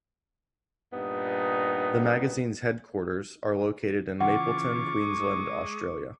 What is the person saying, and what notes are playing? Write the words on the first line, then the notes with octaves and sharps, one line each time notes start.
The magazine's headquarters are located in Mapleton, Queensland, Australia.
G2 A#2 B3 D#4
C#3 E3 F4 F#5 C#6 D6
G#3 D#6